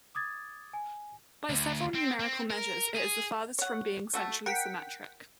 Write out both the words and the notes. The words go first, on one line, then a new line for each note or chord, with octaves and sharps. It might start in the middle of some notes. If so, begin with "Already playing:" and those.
By several numerical measures it is the farthest from being centrally symmetric.
D6 D#6 G#6 A6
G#5
D2
C4
C4
A#4
G#4
C#5 F#5
A3 F#4 A4
A#4 F#5 G5 B6